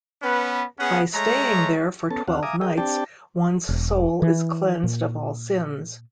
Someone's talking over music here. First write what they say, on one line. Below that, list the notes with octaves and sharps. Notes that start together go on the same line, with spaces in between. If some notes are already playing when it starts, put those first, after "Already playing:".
By staying there for twelve nights, one's soul is cleansed of all sins.
B3 C#4 B4
B3 C#4 G#4 F#5
G#3 A3 C#5 A#5
B3 C#4 A4 A5
D#2 C4 F5 F#5
E5 F5 G#5 A#5 D6 D#6
G#4 A#4 D#5 G5
C4 D4 G4 D5 G5 A5
E1
E3
A#2